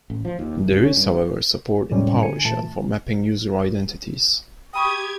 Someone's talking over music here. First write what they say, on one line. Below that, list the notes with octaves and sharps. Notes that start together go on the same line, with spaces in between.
There is however support in powershell for mapping user identities.
A1
F3
D#2
F1
C#2
C#4
G2
E2 A2 C3 G3 G#3 C#4
A1 D3 G#5 C#7
A#2 E3 A3 A5
G4 G5 B5 C#6 D#6 G#6